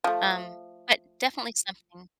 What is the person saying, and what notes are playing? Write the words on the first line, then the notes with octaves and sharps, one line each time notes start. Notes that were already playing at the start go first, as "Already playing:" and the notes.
um, but definitely something.
F3 A3